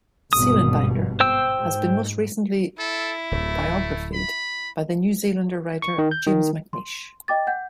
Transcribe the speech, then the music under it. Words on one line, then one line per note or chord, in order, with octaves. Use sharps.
Seelenbinder has been most recently biographied by the New Zealand writer James McNeish.
G#1 G2 B2 D#6
C5 G5 E6
G#2
E4 A4
D1 D2 A3
B5
C#6
D#3
G6
D#3
C6
D#5 G5 D6 A6
F#5 G6